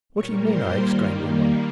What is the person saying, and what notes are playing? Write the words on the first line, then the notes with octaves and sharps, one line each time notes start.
"What do you mean?" I exclaimed, in wonder.
A#2 G3 A#3 C#5 C#6
C5 C6
D#3 G3 A#3